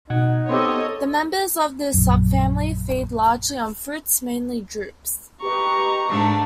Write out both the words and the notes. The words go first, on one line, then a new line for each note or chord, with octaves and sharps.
The members of this subfamily feed largely on fruits, mainly drupes.
B2 D#4 F#5 G#6
B3 C4 G4 A4 C#5 D#5 C6 E6
A#1 F#2
G4 B4 D#5 A#5 C#6
G#2 A3 D4